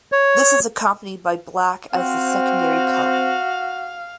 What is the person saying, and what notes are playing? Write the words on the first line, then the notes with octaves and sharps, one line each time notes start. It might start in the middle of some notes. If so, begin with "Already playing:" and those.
This is accompanied by black as the secondary colour.
C#5
C4 F#4 F5